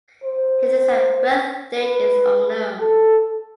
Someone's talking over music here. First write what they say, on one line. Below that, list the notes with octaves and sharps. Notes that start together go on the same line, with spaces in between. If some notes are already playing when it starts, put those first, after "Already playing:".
His exact birthdate is unknown.
C5
B4
A4